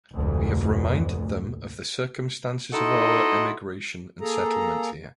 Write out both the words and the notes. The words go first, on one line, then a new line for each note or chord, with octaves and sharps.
We have reminded them of the circumstances of our emigration and settlement here.
F1 D2 G#2
D#4 E4 F#4 A4 D#5 C6
A#3 G#4 A4 A#5